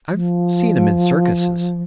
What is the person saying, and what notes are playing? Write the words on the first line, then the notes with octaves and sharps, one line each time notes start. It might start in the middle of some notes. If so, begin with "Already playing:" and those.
"I've seen 'em--in circuses."
F3